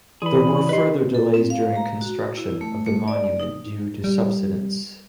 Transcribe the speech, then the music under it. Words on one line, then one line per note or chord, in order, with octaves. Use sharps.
There were further delays during construction of the monument due to subsidence.
E3 G#4 D5 B5 C6
D5
D#4 G4 B4 D#5 C6
A4
C4
F5
A#5
F#4
E4
A3
A3
D5
D#4
G3